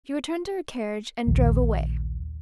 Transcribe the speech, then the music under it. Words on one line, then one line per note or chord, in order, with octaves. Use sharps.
She returned to her carriage and drove away.
A#1 D#2